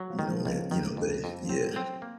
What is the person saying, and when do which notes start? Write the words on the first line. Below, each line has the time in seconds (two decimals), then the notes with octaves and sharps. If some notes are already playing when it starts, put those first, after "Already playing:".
You know, it you know, they yeah.
Already playing: F#3
0.10 F3
0.19 D#3
0.27 F3
0.45 C#2
0.71 D#3
0.97 F2
1.24 F2
1.43 F3
1.49 F#3 C4
1.76 C4
2.02 A#3